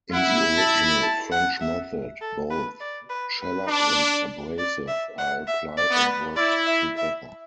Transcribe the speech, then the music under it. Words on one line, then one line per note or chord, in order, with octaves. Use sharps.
In the original 'French Method', both shellac and abrasive are applied and worked together.
E4 F#5
A5
A5
F#5
E5
A4
B4
D5
B4
B4
D4
D5
E5
F#5
E5
D5
B3
B4
E4 D5
E5
E5